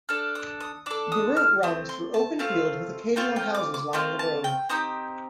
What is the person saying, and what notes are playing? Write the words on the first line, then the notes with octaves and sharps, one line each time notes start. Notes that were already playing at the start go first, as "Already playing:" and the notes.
The route runs through open fields with occasional houses lining the road.
D4 A4 F6
D#6
D#6
D4 A4 D6
D#6
F6
A3 C4 D#6
C6
A5
A3 C4 F4 F5
A3 C4 F4 F5
G5
D6
D6
A3 C4 F4 C6
A5
G5
C4 D#4 G4 D#6